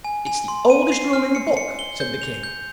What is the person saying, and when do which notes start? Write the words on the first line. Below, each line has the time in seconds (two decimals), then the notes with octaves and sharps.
'It's the oldest rule in the book,' said the King.
0.04 G#5
0.27 G#5
0.48 C6
0.70 D#7
0.92 C7
1.13 F6
1.35 C#7
1.57 C#7
1.79 G7
2.00 G6
2.22 F7
2.43 G6